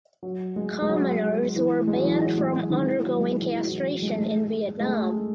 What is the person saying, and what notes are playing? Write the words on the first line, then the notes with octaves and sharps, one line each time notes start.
Commoners were banned from undergoing castration in Vietnam.
F#3
G#3
G#3
F#3
E3
G#3
F#3
E3
F#3
F#3
G#3
D#3
E3
F#3
G#3
E3
E3
F#3
E3
F#3
G#3
A3
G#3
G#3
A3